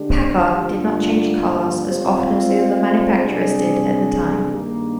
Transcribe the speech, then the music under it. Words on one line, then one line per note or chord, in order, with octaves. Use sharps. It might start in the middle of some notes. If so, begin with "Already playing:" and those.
Packard did not change cars as often as other manufacturers did at the time.
Already playing: D3 G#3 D4 G4
G2 D3 G3 A#3 F4
G3 C4 F4 C5
C3 G3 D4 G#4
G2 D#3 A#3